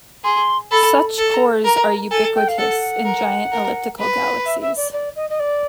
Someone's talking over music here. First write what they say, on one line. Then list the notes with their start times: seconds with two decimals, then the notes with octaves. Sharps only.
Such cores are ubiquitous in giant elliptical galaxies.
0.24 G#4 C6
0.71 A4 B5
1.18 A4
1.33 A#5
1.64 A#4 A#5
2.11 A4 G#5
2.35 G5
2.48 F5
2.58 A4 F#5
3.05 A#4
3.52 A#4
3.99 B4
4.45 E5
4.61 E5
4.77 D5
4.93 D5
5.16 D#5
5.29 D#5
5.39 D5